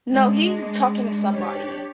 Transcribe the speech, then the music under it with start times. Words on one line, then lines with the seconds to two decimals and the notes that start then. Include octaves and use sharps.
No. He's talking to somebody.
0.10 G#3 D4
1.32 D4 G4 C#5